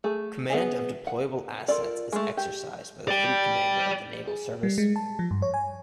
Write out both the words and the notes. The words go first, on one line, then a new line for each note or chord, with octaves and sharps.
Command of deployable assets is exercised by the Fleet Commander of the Naval Service.
A3 G#4
B3 G#4 E5 G#5
F#5
F4 A4 A#4 D5
G#3 A3
G4
D5 G5
G#4
G3
G#3
A5
F3
G2
C#5
G#5